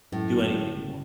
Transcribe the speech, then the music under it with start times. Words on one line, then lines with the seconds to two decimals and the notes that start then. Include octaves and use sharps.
and do anything you want.
0.12 F#2 A2
0.32 G1
0.53 G1
0.74 C#3